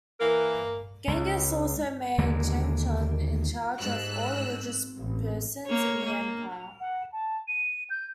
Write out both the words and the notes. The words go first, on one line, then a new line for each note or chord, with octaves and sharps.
Genghis also made Changchun in charge of all religious persons in the empire.
E3 A#3 A#4
C#2
D#2 D3 G#3 A#3
G#2 E6 F#6
A1
A#3 C#5
A#3
F#5
A5
D#7
G6